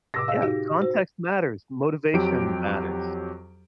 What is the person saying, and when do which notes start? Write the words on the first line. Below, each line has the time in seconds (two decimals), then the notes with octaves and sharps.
Yeah, context matters, motivation matters.
0.14 A2 C3 D6 E6 A#6
0.28 G#4 D#5 F5 E6
0.42 D#4 F#4 G4
0.82 F#4 C5
2.14 F2 F#3 G4 D7